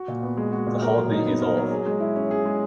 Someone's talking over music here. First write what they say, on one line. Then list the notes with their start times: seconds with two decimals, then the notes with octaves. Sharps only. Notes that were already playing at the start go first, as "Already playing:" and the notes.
The whole thing is off.
Already playing: F#4
0.08 A#2
0.23 B3
0.37 G#3
0.52 F#4
0.67 A#2
0.82 A#4
0.97 F#3
1.11 D#4
1.26 B3
1.42 A#4
1.57 F#3
1.71 G#4
1.86 G#3
2.00 E4
2.15 C#4
2.31 G#4
2.46 G#3